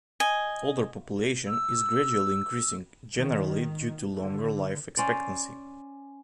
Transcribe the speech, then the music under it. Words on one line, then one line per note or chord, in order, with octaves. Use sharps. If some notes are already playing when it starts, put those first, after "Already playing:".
Older population is gradually increasing, generally due to longer life expectancy.
D#5 G#5
E6
D#3
D3
C#4 C5 D5